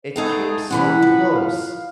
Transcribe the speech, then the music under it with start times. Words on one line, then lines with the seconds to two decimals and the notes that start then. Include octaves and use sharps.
It came so close
0.16 A3 B3 D#4 G#4 A4 F5
0.71 C3 E3 C#4 B4 F#5 B5
1.02 F3
1.35 F5